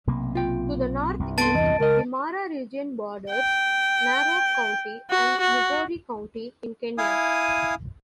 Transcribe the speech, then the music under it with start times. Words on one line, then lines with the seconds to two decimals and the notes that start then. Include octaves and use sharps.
To the northeast, the Mara Region borders Narok County and Migori County in Kenya.
0.07 B1 C3 A#3
0.35 F4 G5
1.19 C2 G2
1.38 B3 A5 C6 A6 D7
1.55 E2 D#5
1.80 C#2 A#4 D#5
3.31 G5
5.10 F#4
5.40 F#4
6.98 E4 F5 G#5 D#6